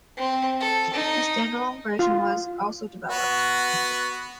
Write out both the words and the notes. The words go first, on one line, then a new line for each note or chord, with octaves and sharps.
A stand-alone version was also developed.
C4
A4
D#4
F4
B3 F#4